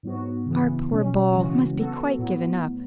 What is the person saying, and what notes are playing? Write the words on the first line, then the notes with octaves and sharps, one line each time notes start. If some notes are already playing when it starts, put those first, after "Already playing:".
"Our poor ball must be quite given up."
G#2 F#3 B3 F#4
C#3 E3 B3
B2 F#3 C#4
C#3 E3 G#3 C#4 F#4
F#3 B3 F#4 A4
A2 F#3 B3